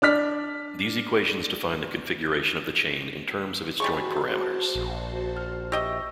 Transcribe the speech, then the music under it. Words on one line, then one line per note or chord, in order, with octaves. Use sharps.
These equations define the configuration of the chain in terms of its joint parameters.
D4 D5 F6 B6
G3 G#3 F#4 G#4 C5 A5 C#6
A#1
F6
G4 D#5 E5 C#6 E6 A#6